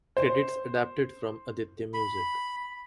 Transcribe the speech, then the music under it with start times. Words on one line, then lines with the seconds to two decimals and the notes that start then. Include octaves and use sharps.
Credits adapted from Aditya Music.
0.17 C5
1.94 B5